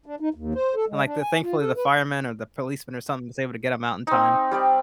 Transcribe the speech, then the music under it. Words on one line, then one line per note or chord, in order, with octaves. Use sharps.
and, like, the thankfully the fireman or the policeman or something was able to get him out in time.
D4
D#4
D#2
C5
A4
G#3
D4
G#5
F4
A4
B4
C4 D#4
G3 G4 D5